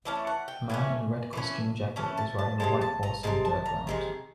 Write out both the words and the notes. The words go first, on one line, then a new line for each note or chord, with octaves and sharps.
A man in a red costume jacket is riding a white horse on dirt ground.
E3 A3 C#4 A5
F#5
G5
E3 A3 C#4 G#5
E3 A3 C#4
E3 A3 C#4 A5
A5
A5
C3 D#3 G#3 A5
A5
A#5
C3 D#3 G#3 A5
A5
A#5
C3 D#3 G#3